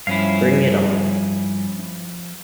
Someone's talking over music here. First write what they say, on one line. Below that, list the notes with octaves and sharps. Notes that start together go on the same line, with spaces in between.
Bring It On!
G2 F3 C#4 E4 F5